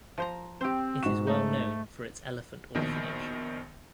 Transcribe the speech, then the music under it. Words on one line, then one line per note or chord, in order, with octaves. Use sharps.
It is well known for its elephant orphanage.
F3 C5 A#5
C4 G4 C5
G#2 F#4 E7
A3 D#4
A#1 B2 D#3